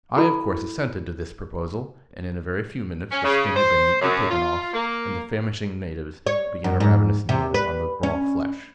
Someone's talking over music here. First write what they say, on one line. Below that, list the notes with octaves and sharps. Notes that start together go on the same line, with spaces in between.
I of course assented to this proposal, and in a very few minutes the skin had been neatly taken off, and the famishing natives began a ravenous meal on the raw flesh.
E4 F#4 A4 B5
C#4
C#3
C5
F#2
F4
A#3
C#5
F#2
G#2
C3
B4
C#4